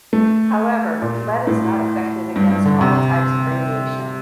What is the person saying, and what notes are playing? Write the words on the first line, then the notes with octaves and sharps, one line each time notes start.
However, lead is not effective against all types of radiation.
A3
A#2
A2
G2
G2
D3
C3